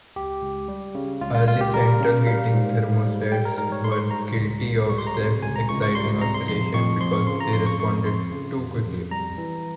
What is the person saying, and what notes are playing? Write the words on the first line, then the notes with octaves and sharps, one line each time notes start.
Early central heating thermostats were guilty of self-exciting oscillation because they responded too quickly.
C#2 G4
C#2
G3
C#3
C#2 F4
F4
C#2 F4
G4
G3 A#4
C#3
G3 F5
G#2
G#2
G3
G3 G5
A#4
G#2 A#4
C#5
G#2 C6
C#6
C6
G3 A#5
C#2
C#2
G3 C#6
C6
A#5
C3 C6
C#2 G#5
A#5
C#2 C#6
C#6
G3 C6
C3 A#5
C6
F2 C6
F2 C#6
F3 C6
C#6
C#3 C6
A#5
F2 C6
C#6
F2 C#6
F3 C6
C#3
F2
F2
G3 A#5
E3